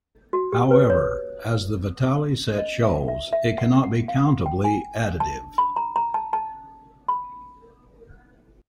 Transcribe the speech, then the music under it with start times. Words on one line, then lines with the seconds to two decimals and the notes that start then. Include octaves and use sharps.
However, as the Vitali set shows, it cannot be countably additive.
0.33 F#4
0.53 G4
0.71 B4
0.90 C#5
2.58 D#5
2.83 E5
3.08 E5
3.33 E5
3.58 F#5
3.83 F#5
4.08 F5
4.27 F#5
4.46 G5
4.64 G#5
5.20 A5
5.58 B5
5.76 A#5
5.96 A#5
6.14 A5
6.33 A5
7.08 B5